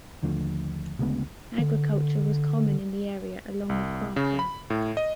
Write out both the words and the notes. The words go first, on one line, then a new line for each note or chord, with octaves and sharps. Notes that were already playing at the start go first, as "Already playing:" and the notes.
Agriculture was common in the area along with crafting.
D#2 D3 F3 A3
D2 C#3 G#3 B3
D3
C2
C#3
B5
A2
D#5